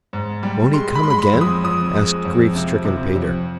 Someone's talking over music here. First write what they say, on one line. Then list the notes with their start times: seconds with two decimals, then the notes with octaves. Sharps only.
"Won't he come again?" asked grief-stricken Peter.
0.13 G#2
0.43 G3
0.73 G#3 C6
0.95 B5
1.03 G#3 C6
1.10 B5
1.19 C6
1.33 F2
1.41 D#6
1.64 F2 D#6
1.95 G#3
2.25 F2
2.56 C3
2.85 C3
3.15 F2